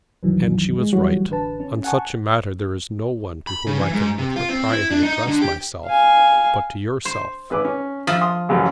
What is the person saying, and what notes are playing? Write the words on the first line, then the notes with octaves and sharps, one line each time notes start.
And she was right. On such a matter there is no one to whom I can with propriety address myself, but to yourself.
C2 F#2 D#3 E3 F#3
G#3
E3 F#3 G3 A3 F#4 C#5
A1 D3 B4 A5
C#4
F#5 G#5 A5 C#6
B5
C#3
E3
G#2
C3
F4
C4
E4
D4
D#4
D3
G4
F5 G#5
C5
G#1 B4 D6
C#4
F3 E5 D#6
C6 D#6
A1 F#2 C#3